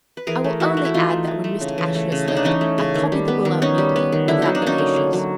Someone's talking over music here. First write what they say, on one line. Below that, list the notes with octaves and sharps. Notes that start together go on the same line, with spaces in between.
I will only add that when Mr. Ashurst left, I copied the will out neatly, without erasures.
B4
E3 G#4 A#4
A3
E3 E4 F#4
A3
E4
E3 D#4 F4
A3
E3
A3
C#3
E3
A3
C#3
C#3 D#4
D4
E3 C#4 D#4
A3
C#3
D#3
G3
B3
D#3
D#3 C#4 D#4
G3
B3
D#3
D3 E4
F#3 D#4
D4
A#3 C#4 D#4
D3
D3
F#3